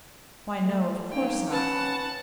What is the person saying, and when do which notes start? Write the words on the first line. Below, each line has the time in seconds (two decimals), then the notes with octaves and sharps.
'Why no, of course not.'
0.58 A3
1.11 A#3 C#4 D#4 G5
1.51 C#4 B4 F#5 A5